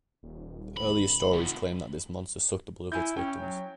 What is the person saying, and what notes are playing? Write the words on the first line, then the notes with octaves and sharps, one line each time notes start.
The earliest stories claim that this monster sucked the blood of its victims.
D#1
B5
C3 F3
E4 G#5 G6
C#4 G5
F#3